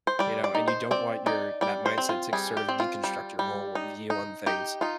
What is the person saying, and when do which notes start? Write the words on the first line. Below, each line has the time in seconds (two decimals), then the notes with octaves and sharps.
you know, and you don't want your that mindset to c sort of deconstruct your whole view on things.
0.07 C5
0.19 G3 D5
0.44 D5
0.55 D#4
0.68 C5
0.91 C4 D5
1.26 D#4 D5
1.61 G3 D5
1.86 C5
1.98 C4
2.09 F4
2.33 G3 G#4
2.57 G4
2.69 C4
2.80 F4
3.04 G3
3.39 G3
3.75 D#4
4.10 D#4
4.46 D#4 G4
4.81 D#4 F4